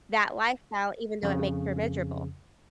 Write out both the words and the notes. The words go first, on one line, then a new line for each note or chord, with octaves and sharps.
that lifestyle, even though it makes her miserable.
F2 C#3